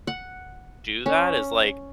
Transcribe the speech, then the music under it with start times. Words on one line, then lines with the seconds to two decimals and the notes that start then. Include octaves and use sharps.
do that is, like,
0.07 F#5
1.06 C#4